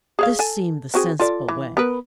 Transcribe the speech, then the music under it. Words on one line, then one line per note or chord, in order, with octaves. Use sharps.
This seemed the sensible way.
G#4 C#5 F5
A4 G#5
C4 F#4 G#4
F4 A4 D5
E3
B3 A#4 B4